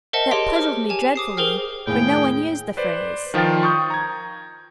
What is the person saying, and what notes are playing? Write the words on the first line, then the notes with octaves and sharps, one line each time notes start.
That puzzled me dreadfully, for no one used the phrase.
A#4 C5 D#5 E5 F#5 A5
G4 G#4 C#5 D#5 C6 D7
C5 F6
G4 G#5 E7
D6 D#6 C7
G#4 A#4 C5 G5 F6
D#2 A2 G#4 G5
B4 C5 D5
D#3 F3 F4 G5 A6
C#6 D#6 G6
A#5 G#6